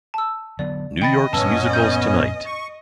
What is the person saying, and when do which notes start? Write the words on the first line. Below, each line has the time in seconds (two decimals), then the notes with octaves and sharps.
New York's Musicals Tonight!
0.14 A5 E6
0.59 D3 F#3 B3 D5
1.02 D#3 D#5 G5 B5 A6
1.33 F#2 A#2 B3 C#4 A5 E6
1.73 G6 D#7
2.46 C#6